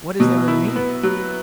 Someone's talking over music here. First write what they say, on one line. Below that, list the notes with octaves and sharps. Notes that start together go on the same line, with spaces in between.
What is there underneath?
B2 F#3
E4
B3
F#3